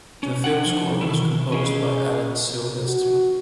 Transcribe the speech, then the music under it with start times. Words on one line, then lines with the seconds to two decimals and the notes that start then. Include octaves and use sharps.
The film score was composed by Alan Silvestri.
0.23 C#4
0.44 F#5 G5
0.66 F3 D#4
1.01 D#3 E3 E4
1.52 C#4 G#4 D#5
2.86 F#4